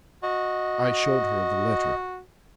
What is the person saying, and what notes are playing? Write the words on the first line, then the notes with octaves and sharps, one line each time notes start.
'I showed her the letter.'
F#4 D#5